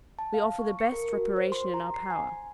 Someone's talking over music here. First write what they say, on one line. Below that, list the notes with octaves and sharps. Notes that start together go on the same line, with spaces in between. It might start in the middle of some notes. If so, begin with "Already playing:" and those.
We offer the best reparation in our power.
A5
F5
C#6
C#7
A#4
F#4
C5
C6
A#5
C7
G#5
G#5